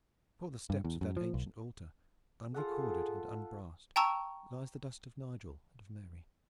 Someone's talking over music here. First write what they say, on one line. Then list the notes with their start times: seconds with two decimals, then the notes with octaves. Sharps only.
Before the steps of that ancient altar, unrecorded and unbrassed, lies the dust of Nigel and of Mary.
0.70 G2
0.85 E2
1.01 F#2
1.17 F3
1.34 B1
2.54 F4 G#4 A4 F#5
3.96 G5 A5 A#5 C#6 E6